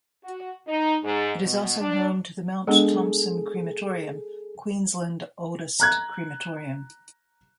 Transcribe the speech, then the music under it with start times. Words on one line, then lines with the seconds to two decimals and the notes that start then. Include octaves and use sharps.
It is also home to the Mount Thompson crematorium, Queensland oldest crematorium.
0.24 F#4
0.67 D#4
1.03 G#2
1.42 B2
1.80 D4
2.67 G#3 B3 D4 G#4 A4
5.80 A#5 F#6 G#6